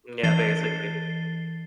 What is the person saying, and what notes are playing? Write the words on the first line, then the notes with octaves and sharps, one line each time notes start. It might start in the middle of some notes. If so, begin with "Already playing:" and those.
Yeah, basically,
E3 A6 C7 G7